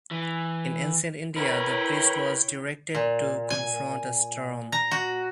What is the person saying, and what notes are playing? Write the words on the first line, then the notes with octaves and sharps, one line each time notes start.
In ancient India, the priest was directed to confront a storm.
E3
E4 A#4 B4 C#5 G5
A#2
G#5
A#5
F#4